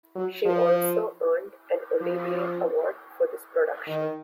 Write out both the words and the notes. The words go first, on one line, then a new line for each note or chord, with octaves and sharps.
She also earned an Olivier Award for this production.
F#3
F3
F3
D#3